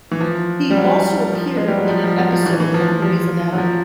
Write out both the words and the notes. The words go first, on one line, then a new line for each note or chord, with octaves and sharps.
He also appeared in an episode of "Grey's Anatomy".
E3
F3
G3
F#3
F3
G#3
G3
F#3
F3
F3
F#3
F3
E3
E3
F3
F3
F3
F#3
F3